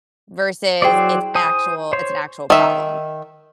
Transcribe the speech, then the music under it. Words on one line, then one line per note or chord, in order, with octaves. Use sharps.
versus it's actual it's an actual problem.
F#3 E4 G#4 C5 D5 G5
C5 G#5 D#6
C5 C#5 C6
D#3 E5